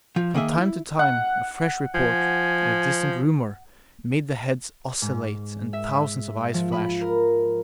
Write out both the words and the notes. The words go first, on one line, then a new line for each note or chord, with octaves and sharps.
From time to time a fresh report, or a distant rumor, made the heads oscillate and thousands of eyes flash.
F3 F4
D#3 A#3 G#4 E5
E4
F#5
F3 G#5
G#2
E5
F3
B5
A#4